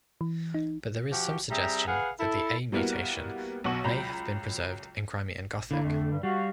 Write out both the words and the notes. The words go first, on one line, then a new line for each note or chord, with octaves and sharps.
But there is some suggestion that "a"-mutation may have been preserved in Crimean Gothic.
E3
D#4
F3 F#4 G4
G3 C4 G#4 E5 G5 A#5
G#4 B4 F5 F#5
E4 A4
G3 A#3 B3 E4 F#4 A#4
B1 F#2 B2 F#5 C#6 F#7
C#2 F#3 A#5 B5 G6
D3 A#3 E4
F2 A3
G2 G3
G3 F#4 F5